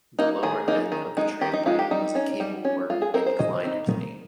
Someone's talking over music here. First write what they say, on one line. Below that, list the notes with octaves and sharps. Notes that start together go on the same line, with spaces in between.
The lower end of the tramway was a cable worked inclined plane.
A#3 D#4
D#3 G#4
A#3 D#4
D#3
G#3 D#4
D#3 G4
D#4
G#3 D#4 F4
G4
G3 D#4
C#4
G3
C#4
G#3 F4
G#4
C4 D#4 A#4
C5
G#3 D#5
C4 D#4
D#3